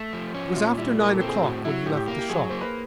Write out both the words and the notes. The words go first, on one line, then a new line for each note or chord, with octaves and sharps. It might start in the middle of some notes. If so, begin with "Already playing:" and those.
It was after nine o'clock when he left the shop.
Already playing: A3
F3
C#4
F#4
A#2 F4
G3 E4
A#2 A#4
A4
C4
G#4
A2 F#4
F#3 E4
A2 G4
G4
A#3
G4
F#3 G#4
A#3 C5
B4